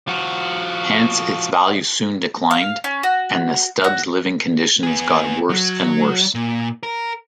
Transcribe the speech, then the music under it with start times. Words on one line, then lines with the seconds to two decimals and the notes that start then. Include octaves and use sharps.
Hence, its value soon declined, and the Stubs' living conditions got worse and worse.
0.08 F3 F#4
2.51 F5
2.84 C#4
3.03 F#4
3.84 F#4
4.83 B3 G#4
5.50 F#3
6.35 A#2
6.83 A#4